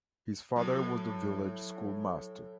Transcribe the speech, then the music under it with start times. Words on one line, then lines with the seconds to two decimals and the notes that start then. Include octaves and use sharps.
His father was the village schoolmaster.
0.56 A2 E3 F#3